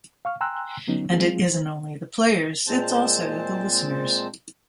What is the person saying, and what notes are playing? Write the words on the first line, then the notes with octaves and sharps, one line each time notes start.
And it isn't only the players; it's also the listeners.
F5 C#6 F6
G5 G#5 A#5 C6 E6 F#6
D3 F#3 B3 C#4 D#4
F3 F#3 G#3 C4 F4 G#4
C5
A#2 G#3 C4 C5 A5